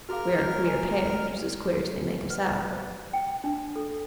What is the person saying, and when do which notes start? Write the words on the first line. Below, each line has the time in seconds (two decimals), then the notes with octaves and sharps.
We are a queer pair--just as queer as they make us out.
0.09 F#4 G#4 A#4 F5 F6
0.64 G#5
2.30 B4
2.71 C5
3.13 G5
3.44 D4
3.76 A4